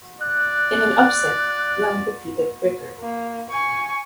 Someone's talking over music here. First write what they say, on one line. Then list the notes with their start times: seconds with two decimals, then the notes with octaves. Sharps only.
In an upset, Young defeated Bricker.
0.21 D5 F#6
2.99 A#3
3.50 G#5 C#6